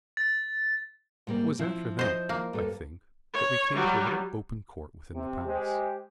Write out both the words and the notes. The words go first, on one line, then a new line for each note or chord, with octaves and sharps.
'It was after that, I think, that we came to a little open court within the palace.
A6
G#2 G3 A#3
F3 C4 E4
C5 D#5
A#3
G2 A4
C#5
F#3 G3
C3
G#3 G4 C5